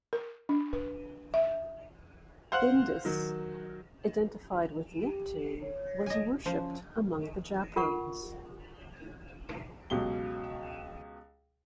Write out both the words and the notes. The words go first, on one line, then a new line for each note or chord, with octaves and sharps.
"Bindus", identified with Neptune, was worshipped among the Japodes.
A#4
D4
B4
E5
C5 F5 F#5 F#6 F#7
D#3 F#3
G4
C#5
D#5 G#5
F3 C#4 C5
F4 A#4 F#5 C#6
C#2 B2 F#3 G4 G7